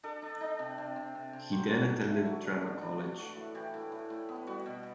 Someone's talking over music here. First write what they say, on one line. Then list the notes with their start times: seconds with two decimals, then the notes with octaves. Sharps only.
He then attended Drama College.
0.03 D4 A4
0.22 D4
0.41 D4
0.59 C3
0.78 C3
0.96 C3
1.15 C3
1.33 C3
1.52 F#3 C5
1.70 F#3 D5
1.89 D4
2.07 A3 F#4
2.18 E4
2.25 F#3 F#4
2.44 D4
2.62 D4 F#4
2.81 D4
3.00 E3 F#4
3.18 A2 F#4
3.36 A2
3.55 E3 G4
3.74 A2
3.92 A2
4.10 A2
4.29 B3
4.47 G3 F#4
4.66 B2